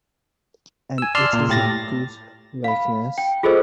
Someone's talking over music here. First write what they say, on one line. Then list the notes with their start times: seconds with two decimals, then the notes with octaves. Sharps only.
And it is a good likeness?
0.98 G#5 E6
1.15 D5 A5 C6 E6 F6
1.33 A#2
1.49 A2 G4 A6 A#6
2.64 F5 B5
3.18 G5
3.43 F4 G#4 A4 C5 D#5 E6